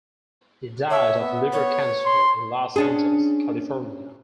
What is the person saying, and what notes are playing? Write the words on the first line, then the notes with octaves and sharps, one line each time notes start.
He died of liver cancer in Los Angeles, California.
C#5 E5
B3
C#5
C6
C#4 D4 G#4